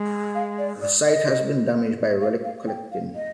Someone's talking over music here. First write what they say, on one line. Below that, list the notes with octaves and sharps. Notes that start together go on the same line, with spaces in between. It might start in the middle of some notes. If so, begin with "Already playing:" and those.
The site has been damaged by relic collecting.
Already playing: G#3
F5
D5
D5
D#5
F5
F5
G5
F5
D#5